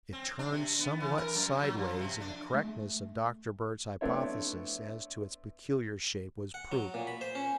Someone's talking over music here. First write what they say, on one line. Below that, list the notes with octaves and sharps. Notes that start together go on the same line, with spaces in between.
It turned somewhat sideways and the correctness of Dr. Bird's hypothesis as to its peculiar shape was proved.
C4
D4
C3
B3
E3
A#4
F#2
F#3
F3
C3
D4
A3
A3 B3 C4 D4 E4 C#5
F#5
F#3
A#2
B5
C5
C#4